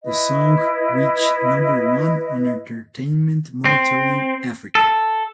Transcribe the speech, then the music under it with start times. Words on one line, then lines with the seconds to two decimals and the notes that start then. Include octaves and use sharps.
The song reached number one on Entertainment Monitoring Africa.
0.03 E4 B4 D#5
3.65 C4
4.75 A4